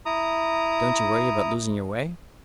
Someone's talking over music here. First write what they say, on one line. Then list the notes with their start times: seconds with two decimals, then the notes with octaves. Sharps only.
"Don't you worry about losing your way?"
0.06 E4 A#5 D#6